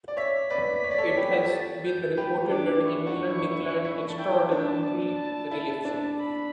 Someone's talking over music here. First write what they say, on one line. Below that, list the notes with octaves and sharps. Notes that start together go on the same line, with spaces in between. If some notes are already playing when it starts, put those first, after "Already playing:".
It has been reported that England declined extraordinary relief.
D5
C#5 E5 B6
B4 D5
C#5
D5
A4 C#5
G4 B4
A6
G6
G4 B4
D4 D6
E4 C#6
D4 F#4
E4
E4
E4
A5
E4 G5
D4
A5
E4
D4
B5